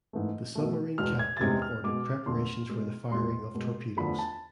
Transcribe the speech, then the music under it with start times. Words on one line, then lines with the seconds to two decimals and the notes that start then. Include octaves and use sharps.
The submarine captain ordered preparations for the firing of torpedoes.
0.13 G#2 E3 A3
0.55 B2 A3
0.98 E2 B2 G#3 F6
1.19 G#6
1.37 A6
1.41 E2 C3 G#3 G#6
1.62 F6
1.84 B2 G#3 D6
2.26 E2 D3 F3 A3 C6
2.69 B2 G#3
3.11 E2 B2 G#3 C6
3.55 B2 G#3
3.97 E2 D3 F3 A3 B5
4.19 A5